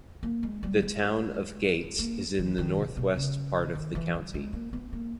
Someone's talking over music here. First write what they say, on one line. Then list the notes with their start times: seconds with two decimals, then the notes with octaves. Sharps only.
The Town of Gates is in the Northwest part of the county.
0.23 A#3
0.43 G#3
0.63 G3
0.82 G#3
1.99 A#3
2.39 E3
2.58 D#3
2.77 B2
2.97 B2
3.17 C#3
3.75 D#3
3.95 E3
4.14 G3
4.34 G#3
4.53 A#3
4.73 B3
4.93 A#3